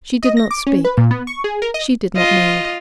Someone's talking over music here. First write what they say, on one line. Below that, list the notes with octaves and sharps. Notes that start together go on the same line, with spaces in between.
She did not speak; she did not move.
D#5
A#6
D6
C#4
B4
A#2
B3
C#6
G#4
A#4
D#5
F4 D#5